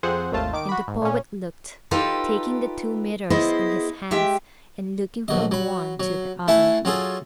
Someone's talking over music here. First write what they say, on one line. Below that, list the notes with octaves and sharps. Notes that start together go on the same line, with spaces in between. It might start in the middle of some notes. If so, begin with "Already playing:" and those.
And the poet looked--taking the two mirrors in his hands, and looking from one to the other.
F2 F3 C4 G#4 C5 F#5
G#1 D#2 A3 F4 A5
D#3 D6 D7
F#4 B5
G#2
A#2 C#4
D#4 F4 G4 A4 B4
B3 E4 G#4 C5 D#5
G#3 G4 E5 G5
A#1 F#3 D#5
F#3 B5
F#3
A3 E4 F#5 G#5 A5
F#3 F4 G#4 A4